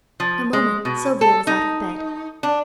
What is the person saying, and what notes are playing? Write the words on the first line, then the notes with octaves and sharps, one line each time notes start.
In a moment Sylvia was out of bed.
F3
G#3
B2
A4
D#4
D4